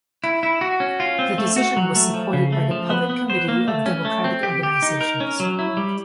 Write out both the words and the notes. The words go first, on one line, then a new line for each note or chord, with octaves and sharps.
The decision was supported by the Public Committee of Democratic Organisations.
E4
E4
F#4
C#4
F4
C4
A3
F#4
F#3
A3
F3
C#3
A3
F3
B3
B3
C5
A#3
A3
C#4
A3
C4
G4
G4
D#4
A#4
C#4
F#3
E4
G3